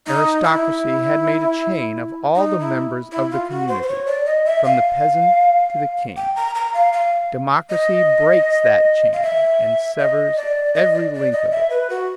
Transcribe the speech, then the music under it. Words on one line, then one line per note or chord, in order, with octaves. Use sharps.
Aristocracy had made a chain of all the members of the community, from the peasant to the king: democracy breaks that chain, and severs every link of it.
D#4
E4
D#4
E4
E4
F4
F#4
C5
C5
C#5
D5
D#5
E5
F5
G5
A#5
A#5
F5
F5
D#5
F5
E5
D#5
D5
D#5
D5
D5
D#5
E5
B4
F#4